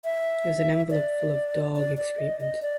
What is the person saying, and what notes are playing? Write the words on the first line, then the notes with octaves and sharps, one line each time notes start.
It was an envelope full of dog excrement.
E5
D5
D5
D5
D#5
D#5
D5